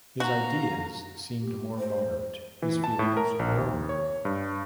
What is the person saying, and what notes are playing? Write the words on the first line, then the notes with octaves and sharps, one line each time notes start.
His ideas seemed more moderate — his feelings warmer.
F#4 F5 A#5
G4
C5
E3
A5
A2
A#4
A#1
D#2
C#5
G2